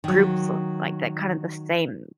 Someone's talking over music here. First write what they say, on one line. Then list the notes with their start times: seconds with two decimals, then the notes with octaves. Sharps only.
groups, like, that kind of the same
0.04 D#3 F#3